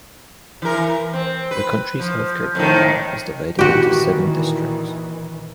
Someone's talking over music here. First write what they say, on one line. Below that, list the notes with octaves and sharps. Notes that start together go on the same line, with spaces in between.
The country's healthcare program is divided into seven districts.
E3 A#4
C4
B4
F3
F2 A2 D#3
A#2 D#3 E3 F#4 G4